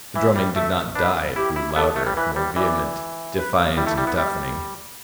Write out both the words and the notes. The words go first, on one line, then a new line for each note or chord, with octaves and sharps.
The drumming did not die; it grew louder, more vehement; defiant and deafening.
E3 E5
G3
A3 E5
D4 B4
E4 G4
E4
B3 A4
A3
G3
E3 B4
G3
E3 D5
B4
G3 E4
A3
G3
B3
G3